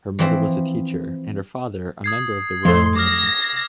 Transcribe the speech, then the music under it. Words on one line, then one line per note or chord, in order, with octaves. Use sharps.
Her mother was a teacher and her father a member of the Royal Marines.
E3 F3 C4 E4 E5
D#6 G#6 C7
F2 A3 C6
D6 D#6 F6 A#6